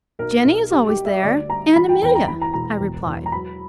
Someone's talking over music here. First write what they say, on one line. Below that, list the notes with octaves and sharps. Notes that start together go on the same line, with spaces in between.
"Jenny is always there, and Amelia," I replied.
B1 A#4
B1
G3 G4
G4
G3
E5
D2 D5
G3 A#5
E3 B5
G5
E2 G5
A#5
E3 B5
A#5
E1 A#5
E2
E2
A#5
F#3 B5